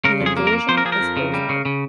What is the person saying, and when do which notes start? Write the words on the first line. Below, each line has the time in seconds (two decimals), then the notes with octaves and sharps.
The invasion is over.
0.05 C#3 A#4
0.21 F2
0.26 G#4
0.37 A#3
0.47 A#4
0.53 A#3
0.69 F3 C5
0.77 A#4
0.85 F3 G#4
0.92 A#4
1.00 F2
1.17 C#3
1.34 G3
1.49 C#3
1.65 C#3